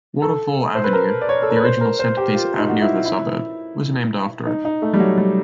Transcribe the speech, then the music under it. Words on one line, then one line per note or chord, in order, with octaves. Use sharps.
Waterfall Avenue, the original centre-piece avenue of the suburb, was named after it.
A4
C5
B4
A#4
D5
C#5
A4
A#4
B4
C5
A#4
C5
G4
F4
D#4
F#4
F4
E4
E4
D#4
D#4
A3
G3
F#3
G3